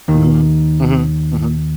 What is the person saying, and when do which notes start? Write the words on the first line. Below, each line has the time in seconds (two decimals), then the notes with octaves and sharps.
Mhm, mhm, mhm.
0.08 D#2 D#3